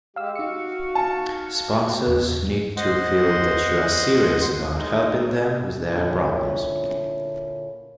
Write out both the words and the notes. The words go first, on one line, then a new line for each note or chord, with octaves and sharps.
Sponsors need to feel that you are serious about helping them with their problems.
G#3 G4 F5 E6
D#4 F#4 F5 C#7
A5
E2 C#3
C5 D#5 F#5 C6
G#3 D#4
A#2 D3 C#4 E4